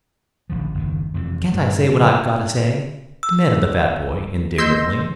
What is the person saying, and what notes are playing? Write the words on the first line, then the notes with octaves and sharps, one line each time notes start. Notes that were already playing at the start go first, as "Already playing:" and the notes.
"Can't I say what I've got to say?" demanded the fat boy indignantly.
D1 A1 D2 F3
F#1 D#2 D#3
F2 C3 E3
G2 A3
C#3 F3 A3 D4
E6
A#3 C6 E6 G6 A#6